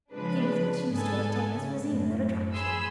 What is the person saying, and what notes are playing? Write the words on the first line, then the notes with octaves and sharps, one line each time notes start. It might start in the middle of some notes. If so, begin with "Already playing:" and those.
Things which used to entertain us resume their attraction.
C#3 F3 G#3 D4 B4
G#2 B3 A4 G#5
C#3
F#2 A2
G#4 B5 C6 E6